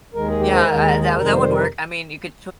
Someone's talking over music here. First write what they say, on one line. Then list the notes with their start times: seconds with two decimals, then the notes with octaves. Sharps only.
Yeah, uh, that would that would work, I mean, you could,
0.14 D#2 D#3 G#3 A#4
0.28 G#4
0.40 G4
0.53 C5
0.65 D#2 D#3 G#3 A#4
0.82 A#4
0.99 G#4
1.15 F2 C3 D#3 G3 A#4
1.32 C5
1.49 A#4